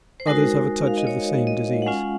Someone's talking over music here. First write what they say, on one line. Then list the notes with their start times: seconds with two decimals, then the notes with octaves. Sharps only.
Others have a touch of the same disease.
0.20 C5
0.26 G#3 D#4 F#4 A#4
0.87 F5
0.97 D#5
1.07 C#5
1.47 D#5
1.82 F#5
1.86 G#3 C#4 F4 F5